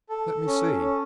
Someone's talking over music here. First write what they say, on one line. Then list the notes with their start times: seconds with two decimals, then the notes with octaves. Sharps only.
"Let me see?"
0.09 A4
0.47 C#4
0.83 C#4